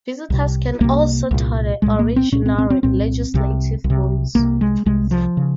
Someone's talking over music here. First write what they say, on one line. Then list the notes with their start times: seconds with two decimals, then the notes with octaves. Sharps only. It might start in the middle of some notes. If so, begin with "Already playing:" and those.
Visitors can also tour the original legislative rooms.
0.30 C2 C3
0.80 C2 C3 A#3
1.31 C2 A#2
1.82 C2 A#2 G#3
1.99 A#3
2.16 C4
2.32 C2 A#2 C#4
2.46 C4
2.58 C4
2.70 C4
2.83 C2 A#2 C4
3.34 C2 C3
3.84 C2
3.90 C3
4.35 C2 C3 A#3
4.61 G#3
4.86 C2 C3 G#3
5.11 F3
5.37 C#3